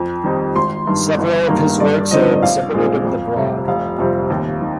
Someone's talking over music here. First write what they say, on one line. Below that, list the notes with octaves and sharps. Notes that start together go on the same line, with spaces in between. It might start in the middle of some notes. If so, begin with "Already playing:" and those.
Several of his works are exhibited at The Broad.
Already playing: F2
D#3 G3 C4 D#4
G#1 C6
G2 D#3
G1
G2 D#3 A#3
G2 D5
D3 F3 C4 D#4 D#5
D#5
A#1 F5
A#2 G#3 C4
F2
C3 G3 C4
F1 F5
F2 C3 G3 C4
D#2
D#3